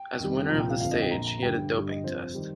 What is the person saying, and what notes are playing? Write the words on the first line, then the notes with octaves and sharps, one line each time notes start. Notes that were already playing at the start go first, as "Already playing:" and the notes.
As winner of the stage, he had a doping test.
Already playing: G5
F2 D#3 G3
C2 A#2 F3 A#5
G5
F5
G1 F2 F3 F5
D#5
G5
A#1 A#2 F3 A#5
A#5
G1 G2 G3 G5
G1 G2 G3
D#5
F2 C3 F3 C5
D#3 G3